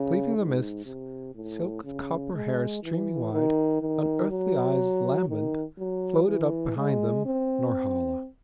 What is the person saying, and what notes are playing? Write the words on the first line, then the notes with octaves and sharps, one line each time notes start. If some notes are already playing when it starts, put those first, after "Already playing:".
Cleaving the mists, silk of copper hair streaming wide, unearthly eyes lambent, floated up behind them--Norhala.
Already playing: C#3
G#2
C3
A2
C#3
G#3
E3
D#3
D#3
F#3
D#3
F#3
E3
G#3
C4